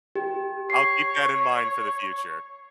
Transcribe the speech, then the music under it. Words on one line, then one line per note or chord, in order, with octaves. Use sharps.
I'll keep that in mind for the future.
G4
C#5 C7